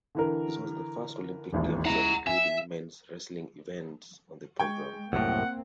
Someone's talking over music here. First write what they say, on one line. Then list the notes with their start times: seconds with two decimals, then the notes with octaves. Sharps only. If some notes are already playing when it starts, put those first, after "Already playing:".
This was the first Olympic Games that included women's wrestling events on the program.
0.15 D3 E3 A#4
1.53 E1 A1 D#2
1.85 C#2 E4 F#5 A#5
2.27 E5 G#5
4.60 G#3 G5 C#6 G#6
5.13 C2 F#2 A2 A#3 C4 F#5